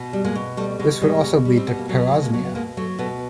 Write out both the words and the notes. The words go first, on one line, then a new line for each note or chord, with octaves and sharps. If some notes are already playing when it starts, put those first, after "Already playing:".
This would also lead to parosmia.
Already playing: B2
G3
G#3 A#3
B2
G3 A3
B2 G#3
G3 G#3
B2
G3
C4
B2 B3
A#3
F#3 A3
B2
G#3 A#3
F#3
B3
B2 G#3 A#3
F#3 A3
B2 A3 B3